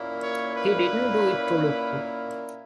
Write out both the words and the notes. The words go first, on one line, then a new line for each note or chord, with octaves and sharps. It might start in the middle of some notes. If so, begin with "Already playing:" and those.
He didn't do it to look cool.
Already playing: A#2 A#3 C#4 E4
C#5
B4